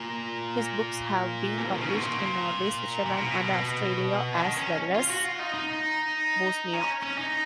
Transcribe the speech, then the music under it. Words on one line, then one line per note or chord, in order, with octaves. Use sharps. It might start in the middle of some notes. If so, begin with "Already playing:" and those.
His books have been published in Norway, Switzerland and Australia as well as Bosnia.
Already playing: A#2
F3
D#3
C#3
B2
A#2
A#2
B2
D#3
C#4
F4
F#4
F4
D#4
D#4
C#4
C#4
D#4